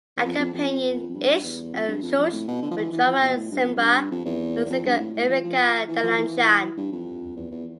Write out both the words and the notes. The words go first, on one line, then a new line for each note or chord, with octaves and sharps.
Accompanying Esch and Schulz were drummer Ziemba and singer Erica Dilanjian.
E2
F2
F2
F2
F2
G2
E2
F2
G2
F2
F2
A2
B2
D3
F3
E3
E3
F3
B2
A2
G2
F2
G2
F2
E2
E2
F2
G2
A2
A2
F3
F3
E3
F3
E3
G2
F2
E2
E2